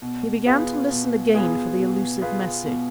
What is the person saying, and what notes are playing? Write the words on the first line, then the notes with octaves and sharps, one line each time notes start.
He began to listen again for the elusive message.
B2
B3 F4 G#4 B4
B2
B3 F4 G#4 B4
B2
B3 F4 G#4 B4
B2